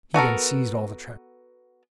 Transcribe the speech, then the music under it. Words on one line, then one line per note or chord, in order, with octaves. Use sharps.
He then seized all the trout.
B3 F#4 A4 A#4